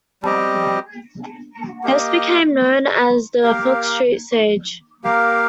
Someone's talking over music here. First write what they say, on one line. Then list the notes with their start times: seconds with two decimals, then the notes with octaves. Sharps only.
This became known as the Fox Street Siege.
0.23 G3 C4 G4 D#5
1.83 A#3 G4 D#5
3.43 A#3 G4 A#4 F5
5.04 A#3 G4 A#4 F5